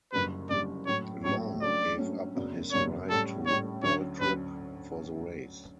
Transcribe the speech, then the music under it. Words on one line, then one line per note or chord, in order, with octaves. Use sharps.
Long gave up his ride to Waltrip for the race.
F#1 F#2 D3 G3 B4
F#1 F#2 D3 G3 D5
A2 F#3 A3 C#5
A2 F#3 A3 C#5
G2 F#3 A3 C#4 D5
G2 F#3 A3 C#4
F#2 C#3 F#3 B3 D4
F#2 C#3 F#3 B3 D4 C#5
A2 G3 C#4 A4
A2 G3 C#4 C#5
D2 D3 F#3 C#4 C#5
D2 D3 F#3 C#4 B4